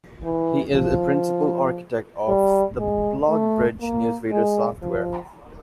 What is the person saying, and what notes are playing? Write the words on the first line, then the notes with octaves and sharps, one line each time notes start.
He is a principal architect of the BlogBridge Newsreader software.
E3
F3
G3
G#3
A3
A#3
G#3
F3